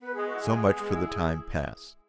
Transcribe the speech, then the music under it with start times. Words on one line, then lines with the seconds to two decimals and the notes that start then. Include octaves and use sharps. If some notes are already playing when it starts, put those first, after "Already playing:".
So much for the time past.
0.01 B3 B4
0.14 G#3 G#4
0.27 F#4
0.33 E4
0.41 G#4
0.49 G#3
0.64 B3
0.80 G#3
0.95 E4